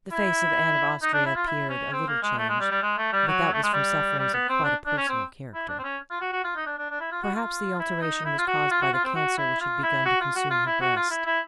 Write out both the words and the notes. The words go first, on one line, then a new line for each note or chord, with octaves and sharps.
The face of Anne of Austria appeared a little changed, but that was from sufferings of quite a personal character. Perhaps the alteration was caused by the cancer which had begun to consume her breast.
E4
D#4
D4
E4
F4
E4
C#4
C4
A#3
G#3
A3
G#3
G3
G3
G#3
A3
G3
F#3
A3
G#3
G3
G3
B3
C4
D4
D4
C#4
C4
E4
D4
C4
C#4
F4
F#4
F#4
F4
D#4
D4
D4
D4
E4
F4
F#4
F4
E4
D#4
E4
F4
F#4
F4
F#4
F4
C4
F#4
E4
F4
E4
F#4
F4
F#4
F4
E4
F#4
F4
E4
E4